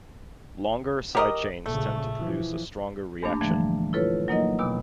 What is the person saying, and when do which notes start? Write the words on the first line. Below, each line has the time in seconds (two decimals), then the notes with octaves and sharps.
Longer side chains tend to produce a stronger reaction.
1.15 G4 A#4 D#5
1.66 A#1 C#3 A3
2.18 E3 F3
3.22 E2 G2 A3 A#3 D4
3.41 A#2 D3 E3 F3 G3 A3
3.93 E4 F4 A4 B4 C#5
4.28 F#3 A#3 D#4 A#4 D#5
4.59 D#2 B2 B3 D6 E6